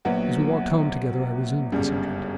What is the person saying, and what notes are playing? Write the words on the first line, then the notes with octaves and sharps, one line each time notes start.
As we walked home together I resumed the subject.
A#1 A#2 F#3 B3 F#4
G1 F#2 C#3 G3